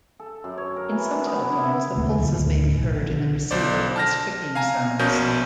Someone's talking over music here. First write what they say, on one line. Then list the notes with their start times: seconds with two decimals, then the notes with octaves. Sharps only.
In some telephones, the pulses may be heard in the receiver as clicking sounds.
0.20 A4
0.44 F#2
0.58 C#5
0.76 A#4
0.92 E3
1.12 D4
1.26 B3
1.41 E4
1.58 E4
1.95 D#1 C#2 A#2 A3
2.18 F#2 D3 E3 G3
2.38 D2 A2
2.77 B1
3.01 A#1 E3
3.13 D3
3.51 B1 C5 D5
3.96 A5 F6 A#6
4.55 F5 G#5 A#5
4.99 A#1 B2 C#4 A#4 G6